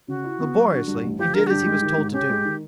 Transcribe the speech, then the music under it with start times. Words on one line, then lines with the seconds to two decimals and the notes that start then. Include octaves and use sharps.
Laboriously, he did as he was told to do.
0.08 C#3 F#4
0.24 E4
0.40 B3
0.55 F#3
0.71 D3
0.87 G2
1.03 A1
1.18 F3 G4
1.34 D3 A#4
1.47 F#4
1.50 G2 G4
1.66 G#3
1.82 D#3
1.98 G#2
2.13 C#4 G4
2.29 G#3
2.45 D#3